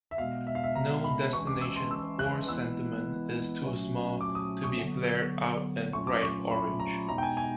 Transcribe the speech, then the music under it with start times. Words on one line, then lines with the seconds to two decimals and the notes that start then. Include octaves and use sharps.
No destination or sentiment is too small to be blared out in bright orange.
0.11 E5
0.18 B2 G#3 B3 F5
0.47 E5
0.55 F5
0.64 E5
0.76 A#5
1.04 B5
1.33 E3 G#3 C#4 C#6
1.47 D6
1.61 E6
1.76 C6
1.91 E6
2.19 F#6
2.48 E3 G#3 B3 E4 E6
3.63 A#2 F#3 A3 C#4 F#4
4.21 D6
4.35 D#6
4.64 C#6
4.78 D3 F#3 B3
5.93 A#2 F#3 A3 C#4 F4 C#6
6.07 D6
6.22 C#6
6.51 B5
6.80 A#5
7.08 B2 G#3 B3 D#4 A#5
7.18 G5
7.23 G#5
7.37 G#5